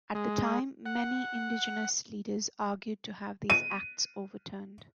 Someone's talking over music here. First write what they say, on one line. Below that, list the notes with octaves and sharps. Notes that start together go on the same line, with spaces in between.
At the time, many Indigenous leaders argued to have these acts overturned.
G#3
F#5
D#7